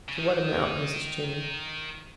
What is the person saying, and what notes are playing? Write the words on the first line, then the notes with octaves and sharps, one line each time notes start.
"To what amount, Mrs. Toomey?"
C#3
D#3